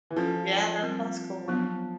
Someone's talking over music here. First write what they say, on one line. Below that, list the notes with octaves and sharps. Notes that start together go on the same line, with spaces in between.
Yeah, that sounds cool.
E3
F3 C#4 F4 A4 C5
G3 C4 F4 A#4
F3 F#3 B3 D4